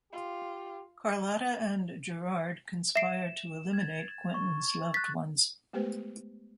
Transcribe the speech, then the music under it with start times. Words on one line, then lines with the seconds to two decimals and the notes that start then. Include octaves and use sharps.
Carlotta and Gerard conspire to eliminate Quentin's loved ones.
0.13 F4 G4
2.96 E5 C7 D7 E7
3.73 G#6 A6
4.34 C#6
4.94 F#6 A6 B6
5.73 G#3 A3 B3 G4 B4 C5